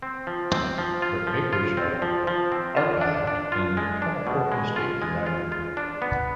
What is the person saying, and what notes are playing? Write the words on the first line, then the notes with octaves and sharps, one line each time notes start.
Her papers are archived in the California State Library.
C4
F3
C4
F3
F4
F3
F4
C4
F3
F3
C4
F4
D4
D4
F4
G#3
D4
B2
G#3
F4
G#3
F4
F4
D4
B3